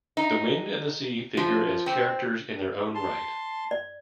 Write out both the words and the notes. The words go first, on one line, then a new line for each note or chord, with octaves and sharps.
The wind and the sea figure as characters in their own right.
D#4
F3
C4
A5 C6
D5